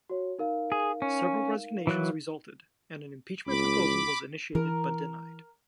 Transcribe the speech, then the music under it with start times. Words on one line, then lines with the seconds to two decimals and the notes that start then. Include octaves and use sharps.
Several resignations resulted, and an impeachment proposal was initiated but denied.
0.10 F#4 C#5
0.39 D#4 A#4 F5
0.72 G#4
1.02 C#4
1.87 E3 F#3 F#6
3.47 C#2 B5 D6
4.55 E3 A#4